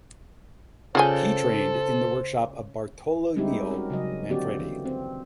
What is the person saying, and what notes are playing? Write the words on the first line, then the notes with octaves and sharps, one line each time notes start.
He trained in the workshop of Bartolomeo Manfredi.
C#3 F4 G#4 A4 C5 D5 G5 G#5
G3 G#3 C4 D#4 E4 G4
C#4 F#4 A#4
C#3 F#3 D#5
D3 A#3 C4 F#4 G4 D5
E3
C4